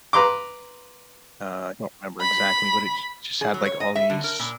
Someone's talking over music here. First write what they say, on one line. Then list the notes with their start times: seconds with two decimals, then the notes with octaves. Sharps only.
uh, I don't remember exactly, but it j just had, like, all these
0.13 B4 A#5 C6 D6
2.21 B5
3.41 G#4
3.54 F#3
3.65 C#5
3.80 D#5
3.95 E5
4.10 D3
4.24 A#4
4.39 A#2